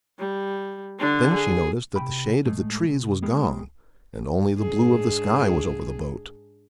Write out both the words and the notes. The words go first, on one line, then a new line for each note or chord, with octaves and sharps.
Then she noticed that the shade of the trees was gone and only the blue of the sky was over the boat.
G3
D3 D4
G#4
C3 A#3 G5 B5
A2 G#3 A3
C2
G#3 B3 G4 G#4 A#4
G#2 D4 G#4